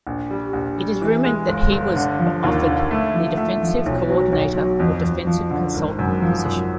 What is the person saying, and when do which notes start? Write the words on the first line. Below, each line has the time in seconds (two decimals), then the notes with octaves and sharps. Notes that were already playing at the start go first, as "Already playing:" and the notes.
It is rumored that he was offered the defensive coordinator or defensive consultant position.
0.07 A#1
0.31 G3
0.53 A#1
0.77 G3
1.01 E3
1.24 G#3
1.48 G1
1.72 G1
1.96 D3
2.19 F3
2.44 D#2
2.67 D3
2.91 A3
3.15 F3
3.37 A3
3.62 F3
3.86 B1
4.09 F#3
4.33 B1
4.56 F#3
4.80 F2
5.03 F2
5.27 F3
5.50 D3
5.74 G#1
5.99 F#2
6.22 F3
6.45 F#2